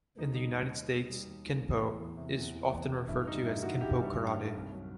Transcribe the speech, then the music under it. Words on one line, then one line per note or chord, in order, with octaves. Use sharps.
In the United States, kenpo is often referred to as "Kenpo Karate".
D#2 D#4
G3 D#4
D#2
D#3
D#2
G3
D#2
D#3
E2
E3
E2
C3
E2
E3
E2
C3
G2 E4
G3 D#4
G2 E4
D#3 D#4 F#4
G2 E4 G4
G3
G2
D#3
C2
F#3